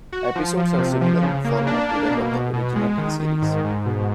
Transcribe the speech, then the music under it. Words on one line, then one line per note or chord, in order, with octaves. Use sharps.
Episodes are similar in format to that of the originating series.
F#4
F3
F3
C3
F3
C#3
A#3
D4
A#3
B2
B2
B2
G#3
D#3
D#3
G#2
G#2
B2